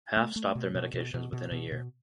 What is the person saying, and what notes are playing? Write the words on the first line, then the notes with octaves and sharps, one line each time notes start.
Half stop their medications within a year.
A3
A3
B2
B2
B2
B2
B2
B2
B2